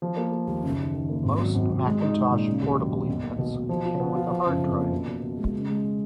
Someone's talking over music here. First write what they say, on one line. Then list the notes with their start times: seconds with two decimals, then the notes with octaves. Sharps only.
Most Macintosh Portable units came with a hard drive.
0.02 F3
0.17 A#3
0.32 A#3
0.47 D#2
0.63 F#1
0.79 D#3
0.94 D#3
1.09 A#3
1.24 G#1
1.40 F#3
1.55 G#1
1.70 G#1
1.86 G#3
2.01 D#4
2.17 G#3
2.31 A#2
2.46 C#3
2.62 D#2
2.77 F#3
2.92 B3
3.08 B1
3.23 A#3
3.38 B2
3.54 B2
3.69 F3
3.85 F4
4.00 B3
4.15 F4
4.31 F3
4.46 F#1
4.61 F2
4.77 A#3
4.92 B2
5.06 B2
5.22 B2
5.37 G#3
5.53 C#3
5.68 G#3